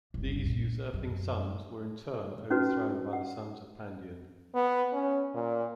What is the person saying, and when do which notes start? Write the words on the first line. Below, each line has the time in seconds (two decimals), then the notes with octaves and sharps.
These usurping sons were in turn overthrown by the sons of Pandion.
0.14 F#1 C2
0.46 A#2
0.94 F#2
2.50 C#4 D#4 F#4 B4
3.13 F#5
4.55 B3
4.93 C#4
5.34 A#2